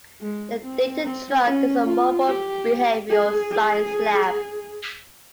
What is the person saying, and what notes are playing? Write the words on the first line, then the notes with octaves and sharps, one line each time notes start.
The Data Truck is a mobile behavioral science lab.
G#3
C4
C4
C#4
F4
G4
G#4
G#4